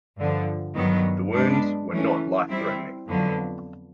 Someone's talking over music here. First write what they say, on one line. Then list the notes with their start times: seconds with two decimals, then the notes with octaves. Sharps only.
The wounds were not life-threatening.
0.17 G2 D3 F3
0.76 G2 D#3 F#3 B3
1.34 G#3 B3 D4
1.91 E3 A3 C#4
2.49 G3 C4 E4
3.07 F2 D3 F#3 B3